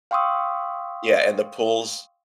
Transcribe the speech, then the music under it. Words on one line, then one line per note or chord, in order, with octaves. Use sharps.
yeah, and the pools
F5 G5 C6 C#6 D#6 E6